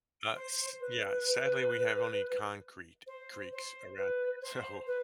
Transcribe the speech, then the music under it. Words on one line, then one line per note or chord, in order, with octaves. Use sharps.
Uh, s yeah, sadly, we have only concrete creeks around, so
C5
B4
C5
C5
B4
C5
B4